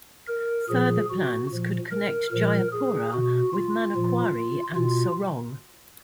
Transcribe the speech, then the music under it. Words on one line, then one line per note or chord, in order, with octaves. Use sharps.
Further plans could connect Jayapura with Manokwari and Sorong.
A#4
A#2 F3 G#4
F#4
A#2 F3
A#4
A#2 F3 A#4
G#4
B2 F#4
F4
A#2 F3
B2 F4